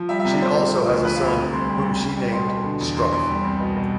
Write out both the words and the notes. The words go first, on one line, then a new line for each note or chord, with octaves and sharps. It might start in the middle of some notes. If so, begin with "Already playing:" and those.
She also has a son whom she named Strife.
Already playing: F3
G3 E5
E5
C3
D5
C3 C5
C3
F3
D2
F3 B4
F5
D2
B5
C3
C2 C6
G3
C2
C2
G3
B2 C6
B2
D3
E2
E2 C6
E2 C6
G3
C2
B2
B2